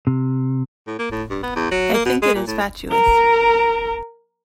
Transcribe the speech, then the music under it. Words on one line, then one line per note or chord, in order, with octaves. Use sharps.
I think it is fatuous.
C3
A2
A#3
A2
G2
B3
E2
F#3
A#3
B2
G#3
A#2
A2
A#4 A#5